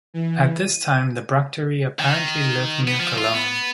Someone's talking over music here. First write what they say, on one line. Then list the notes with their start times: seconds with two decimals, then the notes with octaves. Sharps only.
At this time the Bructeri apparently lived near Cologne.
0.14 E3
0.58 D#7
1.99 D#3
2.87 B3
3.00 F3
3.18 F4
3.34 B3